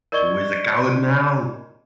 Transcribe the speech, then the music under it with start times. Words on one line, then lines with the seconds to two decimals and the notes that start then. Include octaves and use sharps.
Who is coward now?
0.12 A#4 D5 D#5 C#6 G#6 G7